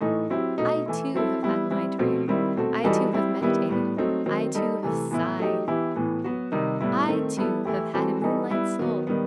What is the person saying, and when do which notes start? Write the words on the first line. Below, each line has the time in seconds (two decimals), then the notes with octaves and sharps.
I, too, have had my dream, I, too, have meditated, I, too, have sighed; I, too, have had a moonlight soul.
0.01 A2 E3 A3 D#4
0.30 F#3 C4 E4 G4
0.58 B2 A3 D#4
0.86 E3 A3 E4
1.14 F#3 C4 E4 A4
1.43 G3 B3 E4 G4
1.71 G3 C4 E4
1.99 B2 A3 C4
2.28 D#3 G3 C4 E4
2.56 B2 A3 C4 F#4 A4
2.84 E3 G3 D#4 F#4 A4
3.12 G3 C4 E4 G4
3.41 D#3 G3 B3 E4 G4
3.69 A2 G3 B3
3.97 F#3 A3 C4 D#4
4.26 D#3 F#3 C4
4.55 G3 D#4 A4
4.83 C3 E3 A3
5.11 A2 E3 B3 E4
5.39 F#3 A3 D#4 G4
5.68 E3 B3 E4 G4
5.96 A2 E3 B3
6.24 F#3 B3 F#4
6.52 C3 D#3 G3 D#4
6.81 A2 G3 B3 E4
7.09 D#3 A3 C4
7.37 G3 B3 E4 A4
7.65 E3 A3 E4 G4
7.94 E3 G3 C4 F#4 A4
8.22 E3 G3 D#4 A4
8.50 G3 B3 E4
8.79 D#3 F#3 B3
9.07 D#3 G3 B3